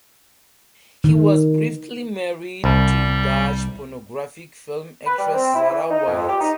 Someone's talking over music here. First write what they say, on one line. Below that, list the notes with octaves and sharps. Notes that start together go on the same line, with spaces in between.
He was briefly married to Dutch pornographic film actress Zara Whites.
D#3
C2 G3
B4
G3
C4
E4
E3
D#4
F2
G4
D#4